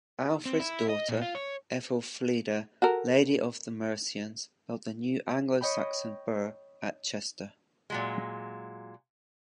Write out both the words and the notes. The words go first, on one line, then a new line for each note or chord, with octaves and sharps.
Alfred's daughter Ethelfleda, "Lady of the Mercians", built the new Anglo-Saxon 'burh' at Chester.
C4
E4
D#5
A#2
F4
C#5
F#4 A4 A#4
C#5 D#5 G5 B5
A#2 F#3 G#3